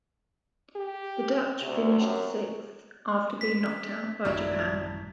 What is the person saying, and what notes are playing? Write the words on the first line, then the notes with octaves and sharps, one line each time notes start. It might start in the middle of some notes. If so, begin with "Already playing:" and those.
The Dutch finished sixth after being knocked out by Japan.
G4
D2 C3
F#2
B6
A1 F#2 D#3 F#3 D4 E4